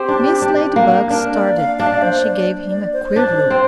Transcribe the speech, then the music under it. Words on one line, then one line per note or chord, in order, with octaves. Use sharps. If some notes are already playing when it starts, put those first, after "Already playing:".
Mrs. Ladybug started; and she gave him a queer look.
Already playing: C4 G4
D4
D4
A#3
D4 A#4
D5
F5
D4 F5
D5
F5
C5
D5
D5
C5
D4
C4